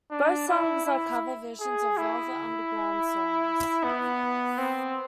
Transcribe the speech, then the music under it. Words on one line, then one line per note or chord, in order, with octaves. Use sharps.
Both songs are cover versions of Velvet Underground songs.
D4
E4
E4
G#4
E4
B3
C4